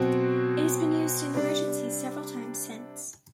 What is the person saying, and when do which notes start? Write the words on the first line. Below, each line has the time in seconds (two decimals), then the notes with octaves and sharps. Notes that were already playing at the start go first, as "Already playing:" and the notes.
It has been used in emergencies several times since.
Already playing: B2 F#3 C4 F#4
1.34 C3 G3 D4